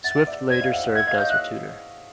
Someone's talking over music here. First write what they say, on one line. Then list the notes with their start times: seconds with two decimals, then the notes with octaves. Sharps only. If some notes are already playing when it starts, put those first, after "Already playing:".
Swift later served as her tutor.
0.04 E5 F#5 A6
0.15 E5 F#5
0.27 D5 E5
0.50 C5 D5 G#6
0.61 D#5 F5
0.73 E5 F#5
0.84 E5 F#5
0.95 E5 F#5 G#6
1.06 D#5 F5 G#6
1.18 C#5 D#5 G6
1.30 E5 F#6